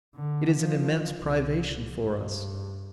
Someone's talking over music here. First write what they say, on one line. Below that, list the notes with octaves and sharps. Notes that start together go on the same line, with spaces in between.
It is an immense privation for us.
D3
F3
C2
G2